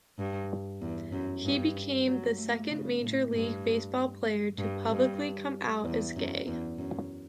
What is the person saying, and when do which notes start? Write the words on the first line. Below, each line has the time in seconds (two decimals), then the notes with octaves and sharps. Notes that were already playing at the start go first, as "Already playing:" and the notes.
He became the second Major League Baseball player to publicly come out as gay.
0.18 G2
0.81 E2
1.12 F#2
1.44 G2
2.07 F#3
2.38 A3
2.70 C#3
3.01 A2
3.33 G2
4.58 G2
4.89 G2
5.84 E2
6.16 F#2
6.46 E2
6.78 F#2